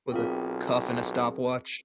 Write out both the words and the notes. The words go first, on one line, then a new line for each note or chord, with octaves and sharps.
With a cuff and a stopwatch.
B1 C4 F4 G#4 A#4 G5